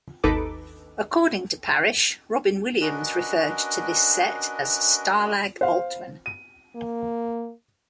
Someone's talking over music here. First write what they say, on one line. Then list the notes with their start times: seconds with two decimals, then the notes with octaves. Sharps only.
According to Parish, Robin Williams referred to this set as "Stalag Altman".
0.24 G#1 D#2 D#4 A4 B4 D6
2.81 C#4 D4 F#4 A#4 B4 D#5
5.61 C5 F5
6.26 D#7
6.76 A#3